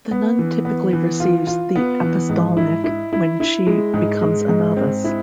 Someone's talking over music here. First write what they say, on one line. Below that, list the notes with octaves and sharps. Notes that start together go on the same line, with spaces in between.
The nun typically receives the apostolnik when she becomes a novice.
B3
E3
B3
E3
F4
F4
B3
E3
G#2
E4
E4
E4
E4
G#3
G#2
G#3
G#2
C4
E4